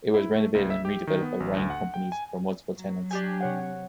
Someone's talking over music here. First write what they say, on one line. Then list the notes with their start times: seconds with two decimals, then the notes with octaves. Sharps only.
It was renovated and redeveloped by Ryan Companies for multiple tenants.
0.14 E4
0.35 A3
0.55 C2
0.70 E5
0.85 G4
1.07 D#3
1.22 B3
1.40 A1
1.57 D2
1.70 F#5
1.94 G5
2.12 G#5
2.76 F#3
3.11 D4 G4 G#5
3.41 C3 C#5 F#5